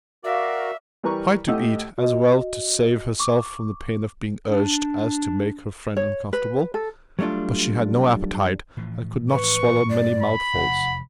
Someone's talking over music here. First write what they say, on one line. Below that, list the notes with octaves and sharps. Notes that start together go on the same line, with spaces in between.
She tried to eat, as well to save herself from the pain of being urged as to make her friend comfortable; but she had no appetite, and could not swallow many mouthfuls.
F#4 A#4 D5 E5 F5
E3 G3 A#4 B4 A#5 C#6
A2 A3 G4 D#5 F#5 E6
F#4 D#5
C#6 D6
D4
C#5
B4
A4
F#3 G3 A3 D4 F4
A2 E3 F3
B4 C#6
G2 A3 D5
B5
F1 E2 F#5